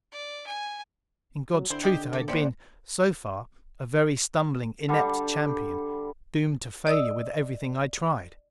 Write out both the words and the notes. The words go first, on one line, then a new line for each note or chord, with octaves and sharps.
In God's truth I had been, so far, a very stumbling, inept champion, doomed to failure with everything I tried.
D5
G#5
F#3
D3 C4 E4 C5
G#3 D#4 G4
A#3 A4
A#1 F3 C4 E4 C5 D5 F#5 C#7
D3 G3
D5 D#5 D#6 E6